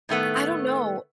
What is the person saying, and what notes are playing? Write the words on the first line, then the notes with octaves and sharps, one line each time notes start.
I don't know.
A2 D#3 A3 B3